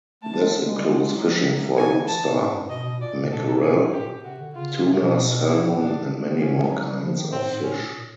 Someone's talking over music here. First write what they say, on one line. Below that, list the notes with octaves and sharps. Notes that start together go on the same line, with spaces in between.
This includes fishing for lobster, mackerel, tuna, salmon and many more kinds of fish.
A3 A5
G3
G#3
G#3
G3
G#3
G#3
F#3
F3
F#3
D#3
E3 G#5
D#3
E3 A5
A#2
G#2
G2
B2 D#5
B2
A#2 D5
A#2
B2 A4
B2 G#4
A#2
A2 G4
B2
A#2
C3 F#4
D3
C#3 F4
C3
B2
E4
A2
A#2 D4
D3
C#3 C#4
C3
F#3
G3
F3
D#3
A2 C4
G#2
A2 C#4
A#2
A#2